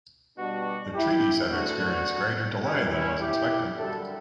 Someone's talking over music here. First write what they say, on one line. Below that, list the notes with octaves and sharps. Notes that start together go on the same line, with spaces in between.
The treaties have experienced greater delay than was expected.
B2 G3 D4 F#4
E4 G4
E2 D3 A3 D4 F#4
F#2 E3 G3 C#4 E4
C#4 E4
E4 G4
F#2 D3 G3 F#4 A4